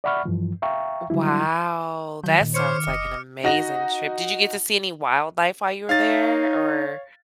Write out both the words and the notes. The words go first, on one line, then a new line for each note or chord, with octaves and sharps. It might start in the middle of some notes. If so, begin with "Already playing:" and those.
Wow. That sounds like an amazing trip. Did you get to see any wildlife while you were there or
D5 E5 F#5 B5 C#6 F6
G2 E3 F3
E5 F5 G5 A#5 C#6
D3 F#3 G3 E4
D#3 F#3 G6
A#2
C5 C#5 D6 F6 C#7
F#1 D#5
D#4 F#4 A#6
D#4 C#5 F5 A6